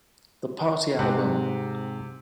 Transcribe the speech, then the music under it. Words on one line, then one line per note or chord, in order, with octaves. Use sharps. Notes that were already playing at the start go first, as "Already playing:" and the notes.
The Party Album!
G#2 C3 C4 F#5